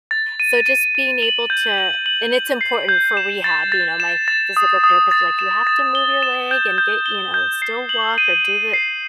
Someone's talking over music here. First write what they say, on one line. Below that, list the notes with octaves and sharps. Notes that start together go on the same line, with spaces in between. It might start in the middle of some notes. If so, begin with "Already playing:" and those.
so just being able to and it's important for rehab, you know? My physical therapist, like, "You have to move your leg and get" you know, "still walk or do the"
A6
D#7
D#7
D#7
F#7
G6
F#7
F#7
F#7
C7
G6
E7
A6
A6
E7
A6
D#6
D#6
A6
E7
A6
G7
E7
G6
G6
G7
G6
C7
F#7
D#7
D#7
C7